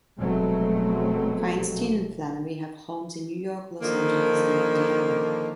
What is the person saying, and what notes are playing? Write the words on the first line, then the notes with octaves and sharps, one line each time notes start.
Feinstein and Flannery have homes in New York, Los Angeles, and Indiana.
F1 B2 F#3 G#3 A3 C4
D3 D#3 F3 A#3